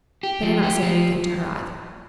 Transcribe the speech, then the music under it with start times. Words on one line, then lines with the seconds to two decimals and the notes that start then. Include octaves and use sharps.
"Better not say anything to her either."
0.23 G4
0.43 F3
0.63 G4
0.83 F3